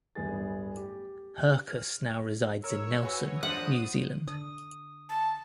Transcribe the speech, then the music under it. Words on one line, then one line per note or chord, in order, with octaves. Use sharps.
Hercus now resides in Nelson, New Zealand.
D1 G1 G3 B3 G#4 A6
G4
F6
A#4 C#5 E6
F#4 G#4 B4
F3 D4 E4 F#4 C5 F#5 D#6
D3 D#6
A5